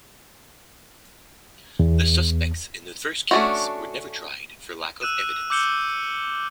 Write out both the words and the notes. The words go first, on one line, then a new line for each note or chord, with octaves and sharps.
The suspects in the first case were never tried, for lack of evidence.
E2
A3 C#4 D4 E4 F#4
E6 F#6 D#7 E7
D6 E6 G6 C#7 E7 G7